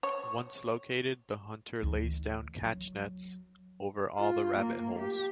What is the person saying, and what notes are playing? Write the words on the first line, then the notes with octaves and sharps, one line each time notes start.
Once located the hunter lays down catch-nets over all the rabbit holes.
C#5
D2 E3
F#3
F4
A#3
G4